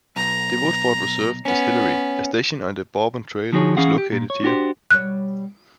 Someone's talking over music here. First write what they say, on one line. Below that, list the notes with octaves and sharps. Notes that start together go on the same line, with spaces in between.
The Woodford Reserve Distillery, a station on the Bourbon Trail, is located here.
B1 A#5
B3 C#4
D3 F3 D#4 F#4 G#4 C#5
E3 C#4 G#4 F5 F#5
G4
A#2
C#5
D4 F#4 G4 C5
B2 G3 C#5 F#6